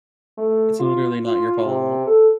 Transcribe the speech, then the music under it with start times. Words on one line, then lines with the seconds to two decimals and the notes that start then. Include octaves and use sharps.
It's literally not your fault.
0.38 A3
0.80 F4
1.26 F4
1.65 C3
2.07 A4